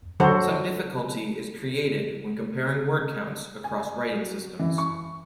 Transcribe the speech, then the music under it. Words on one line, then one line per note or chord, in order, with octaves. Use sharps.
Some difficulty is created when comparing word counts across writing systems.
D3 F#3 F#4 A4 C5
G#5
F#3
E3
C#6